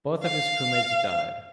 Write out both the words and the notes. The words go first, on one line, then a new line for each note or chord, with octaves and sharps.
Both of his crewmates died.
F5